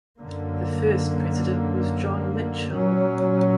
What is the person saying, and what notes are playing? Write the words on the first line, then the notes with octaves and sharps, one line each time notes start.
The first president was John Mitchell.
F#2 D3 A#3
A#2 F#3 C#4